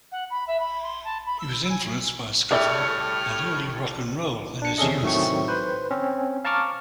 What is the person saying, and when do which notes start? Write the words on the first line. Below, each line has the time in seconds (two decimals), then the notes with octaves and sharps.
He was influenced by skiffle and early rock and roll in his youth.
0.12 F#5
0.30 B5
0.48 E5
0.60 B5
0.83 C6
1.05 A5
1.26 B5
1.40 E6
1.70 G#5
2.51 A2 G3 G#4 A4 C#5 D5 E5 F6
4.62 D4 C#7
4.78 E2 C3 C#4 G#4 A4 D#5
5.03 A2 D#3 F#3 A3 C4 C#6
5.48 B4 C5
5.91 C4 C#4
6.45 F5 A5 A#5 C#6 D6 F6